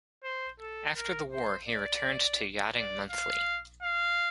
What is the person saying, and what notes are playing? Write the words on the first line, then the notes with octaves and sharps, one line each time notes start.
After the war he returned to "Yachting Monthly".
C5
A4
A#4
C5
D5
D5
F5
F5